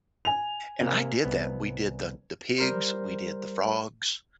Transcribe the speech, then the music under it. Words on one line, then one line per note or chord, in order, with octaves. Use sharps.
and I did that. We did the the pigs, we did the frogs
G#5 F7
C3 A#3
C2 B3
G3 A#4 C5